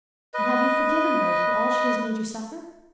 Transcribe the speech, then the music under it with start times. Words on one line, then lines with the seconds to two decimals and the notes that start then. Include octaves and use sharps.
"And have you forgiven her for all she has made you suffer?"
0.34 B4 D#5